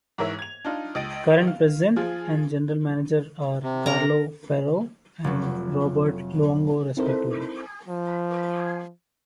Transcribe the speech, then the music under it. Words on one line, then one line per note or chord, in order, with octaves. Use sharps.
Current president and general manager are Carlo Ferro and Roberto Luongo respectively.
G#2 E3 A#4 C#5 E5
G#6 F7
D4 D#4 F4
C#2 D#5 A6 D7 D#7
F5
F3 F4 G#4
C3
A#4 A#5
F1 F#3
C4 D#4 E4 A4 A#4 C5
F3